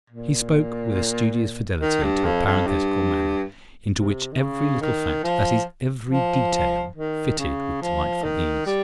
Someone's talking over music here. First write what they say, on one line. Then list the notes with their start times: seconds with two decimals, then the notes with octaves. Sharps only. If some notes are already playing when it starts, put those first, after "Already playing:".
He spoke with a studious fidelity to a parenthetical manner, into which every little fact--that is, every detail--fitted with delightful ease.
0.10 A#2
1.81 D#3
2.03 G2
2.24 F2
2.46 F2
2.67 G2
3.95 C3
4.32 D#3
4.38 C#3
4.81 D#3
5.23 F3
6.09 F3
6.96 D#3
7.38 C#3
7.81 F3
8.24 D#3
8.66 G3